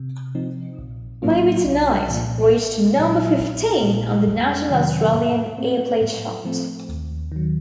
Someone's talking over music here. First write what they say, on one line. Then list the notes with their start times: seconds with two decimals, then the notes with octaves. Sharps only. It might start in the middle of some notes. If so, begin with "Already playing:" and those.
"Maybe Tonight" reached number fifteen on the national Australian airplay chart.
Already playing: C3
0.35 F3 C4 D#4
0.79 A#1
1.22 A2 F#3 A#3 F4
1.65 C2
2.08 A#2 F3
2.53 A#1
2.96 A#2 F#3
3.39 A#1
3.83 A#2 A3
4.27 F2
4.70 C3 D#3 F#3
5.14 A2
5.58 A3 C4
6.01 A2
6.45 F3 A3 C4
6.89 D#2
7.32 D#3 F#3